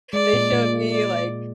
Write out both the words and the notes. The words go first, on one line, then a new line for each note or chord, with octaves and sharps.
they showed me, like,
G#3 D5
A#2
A#2
D5